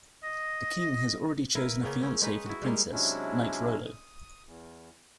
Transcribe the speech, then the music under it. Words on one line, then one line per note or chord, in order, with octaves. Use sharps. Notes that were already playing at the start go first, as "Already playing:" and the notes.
The King has already chosen a fiance for the Princess, Knight Rolo.
D#5
E4 A#4 B4 F5
C#3 A#3 B3 C#4
C4 C#4
G#3 C#4 D#4 B4
E4 F#4
G3 G#3 A#3
C3 F#3 G#3 C#4 D4 E4
D#6
E2